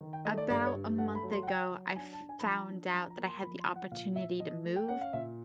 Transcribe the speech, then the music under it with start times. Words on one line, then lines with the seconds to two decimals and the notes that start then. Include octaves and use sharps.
about a month ago, I f found out that I had the opportunity to move,
0.01 D#3
0.13 G5
0.25 A3 D#5
0.38 D5
0.50 G2 D5
0.61 D5
0.66 C#5
0.74 G2
0.98 A3 F#5
1.15 B5
1.23 F#3
1.31 C6
1.43 F#5
1.47 F#3 G5
1.72 F#3
1.96 D4 G#5
2.13 A5
2.21 D4
2.29 G#5
2.39 B5
2.45 F3 A#5
2.69 D4
2.94 F3 A#5
3.10 A#5
3.18 A#3
3.26 C6
3.43 F3 B5
3.59 C6
3.67 F3
3.76 F#5
3.92 A#2 F5
4.16 A#2 E5
4.40 F3 D#5
4.65 A3
4.76 G5
4.88 C#4 F#5
5.01 F5
5.13 A#2 E5